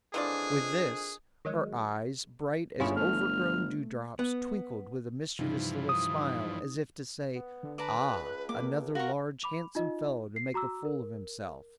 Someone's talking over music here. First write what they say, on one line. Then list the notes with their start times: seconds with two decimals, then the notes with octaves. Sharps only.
With this, her eyes, bright as overgrown dew-drops, twinkled with a mischievous little smile, as if to say: "Ah, another large handsome fellow to make a fool of himself."
0.14 F2 D#3 E3 D4 F4 G#4 D5
1.45 D#3 F#3 G#3
2.80 G1 G2 C#4 E4 F4 G#4 C#5
2.97 A3 F6
4.19 B3
5.39 G2 C3 E3 F3 D#4
5.89 D#6
7.36 B3
7.63 D3
7.78 B4 D5 A5 A#5
7.97 C#2 F#6
8.49 A#3 D6
8.95 F4 F#4 A#4 C#6 A#6
9.42 B5 D6 F7
9.75 D#4 F4 D#5
10.36 C7
10.54 F#4 A#5 D6 E6
10.85 A#4